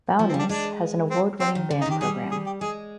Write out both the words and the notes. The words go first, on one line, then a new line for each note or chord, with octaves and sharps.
Bowness has an award-winning band program.
F3
C4
G3 D4
G#3 D4
C4
G3 C4
D#3
D3
D#4
D#3 G4
G3 G#4
G#4
G4
G#3 G#4